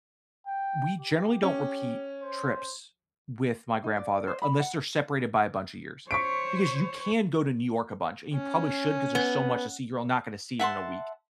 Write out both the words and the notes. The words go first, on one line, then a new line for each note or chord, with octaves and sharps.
we generally don't repeat trips with my grandfather unless they're separated by a bunch of years because you can go to New York a bunch and you probably should 'cause there's so much to see, you're all not gonna see it in a week
G5
G4
C#4
C5
D#4
D5
C5
B5
F#5
C5 C#5 C#6 B6 D7
C#4
B3
E5 F#5 A5 C6